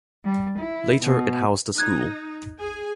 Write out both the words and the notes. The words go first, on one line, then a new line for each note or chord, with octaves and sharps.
Later it housed a school.
G3
E4
B2
D#4 F#6 G#6
G#4 G#5